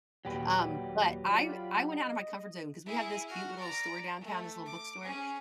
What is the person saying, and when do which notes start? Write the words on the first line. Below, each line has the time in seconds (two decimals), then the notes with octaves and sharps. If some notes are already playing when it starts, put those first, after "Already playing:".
Um, but I w I went outta my comfort zone 'cause we have this cute little store downtown, this little bookstore,
0.25 D#2 A#2 F#3 G4 B4 D5
1.26 F4 D5 B5
1.86 D#5
2.86 E4 G#4
3.27 F#4 F6
3.57 D5 A#5
4.21 A3
4.66 D6
5.03 C#4 G#4